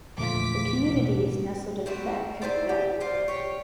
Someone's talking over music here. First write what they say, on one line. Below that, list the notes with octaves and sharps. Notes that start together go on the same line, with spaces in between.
The community is nestled in the Back Creek valley.
E2 A#2 D3 F3 A3 F4 D6 B6
A1 B2
G3 C4 E4 F#4
D#4 E4 C5 D5
G4
F4 C5 D5
G4 C#5